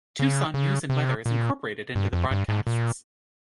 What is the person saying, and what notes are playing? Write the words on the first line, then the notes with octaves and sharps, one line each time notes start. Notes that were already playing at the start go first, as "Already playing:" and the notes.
Tucson news and weather is incorporated into the broadcasts.
C#3
C#3
C3
A#2
G2
F2
G2
G#2
A#2